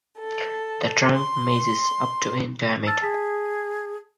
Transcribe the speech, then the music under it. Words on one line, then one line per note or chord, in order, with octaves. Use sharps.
The trunk measures up to in diameter.
A4
C6
A5 E6 F6 A6
G#4 A5 B6